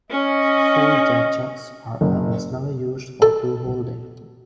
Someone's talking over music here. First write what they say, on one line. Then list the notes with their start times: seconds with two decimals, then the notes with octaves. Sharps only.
Four-jaw chucks are almost never used for tool holding.
0.11 C#4 D#5
2.01 F#1
3.22 A4